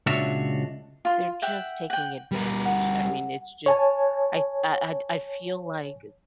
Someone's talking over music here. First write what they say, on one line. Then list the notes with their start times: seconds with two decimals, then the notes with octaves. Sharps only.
they're just taking advantage, I mean, it's just, I I I feel like
0.06 C#2 A#2 D4 F#4 C#5 E5
1.05 F4 C6
1.42 E5 F#5 G5
1.90 F#5 G5
2.32 G3 A#4
2.65 F#5
3.66 C#5 G#5 A5